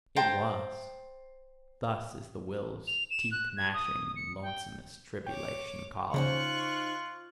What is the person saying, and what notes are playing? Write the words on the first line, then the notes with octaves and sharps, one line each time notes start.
"It was": thus is the Will's teeth-gnashing and lonesomest tribulation called.
C5 G5 A5 A#5
F7
E7
F#6
G#6
D#6
C#7
G5
C#5 G5 D6
C#3 D#4 F4 C5 G#5 C#6 F#6